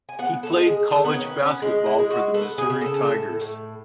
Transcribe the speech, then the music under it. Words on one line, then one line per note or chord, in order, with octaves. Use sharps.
He played college basketball for the Missouri Tigers.
G#5
B3 F#5
A4
G#3
G#4
D#3 A4
B3
C#4
B3
C#4
G#3 C#4
E4
G#3
F#4
B3 A4
G#4
C#3
A4
A2
A2